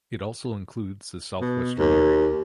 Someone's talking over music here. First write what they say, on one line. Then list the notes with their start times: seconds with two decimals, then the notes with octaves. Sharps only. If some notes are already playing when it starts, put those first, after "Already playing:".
It also includes the southwestern area.
1.41 B2
1.79 D#2